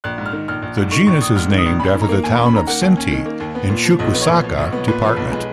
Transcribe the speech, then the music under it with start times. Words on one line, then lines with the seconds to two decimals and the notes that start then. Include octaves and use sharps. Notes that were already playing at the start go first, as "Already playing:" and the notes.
The genus is named after the town of Cinti in Chuquisaca Department.
0.04 A#1 F#6
0.18 G#2
0.26 F6
0.33 D#3
0.48 A#1 F6
0.62 A#1
0.77 G#2
0.91 D#3 C#6
1.07 A#1 C#6
1.20 A#1 D#6
1.36 G#2 F6
1.50 D#3
1.58 D#6
1.66 A#1
1.79 C#4 B5
1.95 D#3
2.02 A#5
2.09 A#3
2.24 D#2 G#5
2.35 B5
2.38 C#4
2.46 B5
2.53 D#3 A#5
2.67 A#3 F#5
2.82 D#2
2.97 C#4
3.12 D#3
3.26 A#3
3.40 D#2
3.55 B3
3.70 A#2
3.85 F3
3.99 B1 D#5
4.14 B3
4.21 C#5
4.29 A#2
4.43 F3
4.58 B1
4.72 B3
4.88 A#2 B4
5.02 F3
5.10 B4
5.17 B1
5.32 G#3 B4